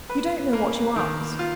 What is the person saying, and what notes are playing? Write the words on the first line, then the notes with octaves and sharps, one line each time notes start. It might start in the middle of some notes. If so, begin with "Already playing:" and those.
"You don't know what you ask."
B4
A#3
D#3
F4